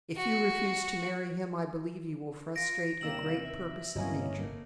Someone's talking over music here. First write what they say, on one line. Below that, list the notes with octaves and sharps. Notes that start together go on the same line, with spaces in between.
If you refuse to marry him, I believe you will frustrate a great purpose of Nature.
F#4
F4 A#6 D7
D#2 C3 D#3 G3 A#3 E6 E7 F#7
E5
G1 B2 F#3 A#3 C4 C#4 E4 D#5
A3 A#3